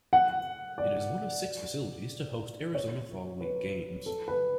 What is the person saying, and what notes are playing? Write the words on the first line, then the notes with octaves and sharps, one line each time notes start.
It is one of six facilities to host Arizona Fall League games.
F#5
D5
C#5
B4
A4
B4